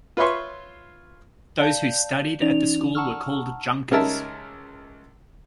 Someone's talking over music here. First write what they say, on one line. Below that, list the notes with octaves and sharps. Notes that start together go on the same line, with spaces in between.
Those who studied at the school were called junkers.
F4 B4 C#5 E5 C6 C#6
D5 F5 A5 G6
E3 C#4 D#4 D5 F7
F#5 A5 A#5 C#6 E6 F6
C#2 C#4 D#4 A#4 E5 A5